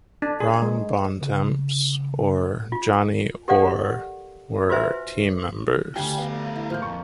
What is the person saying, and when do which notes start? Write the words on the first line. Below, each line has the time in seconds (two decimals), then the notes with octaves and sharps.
Ron Bontemps and Johnny Orr were team members.
0.22 D4
0.40 G#4
0.62 G#3
1.22 C#3
2.72 F4
3.48 G4 A4 A#4 D5 F5 F#5
4.70 F4 F#4 B4 C5 E5 G#5
5.96 D2 D3 G3 G4 D5 F5 G5 G#5
6.18 A3 B3 F5
6.56 E4
6.70 A2 F3 A#3 F6 G6
6.82 F2 C#6